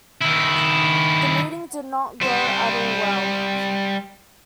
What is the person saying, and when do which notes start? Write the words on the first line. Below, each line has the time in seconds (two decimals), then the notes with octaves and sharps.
The meeting did not go at all well.
0.22 D#3 E4
2.21 G3 C5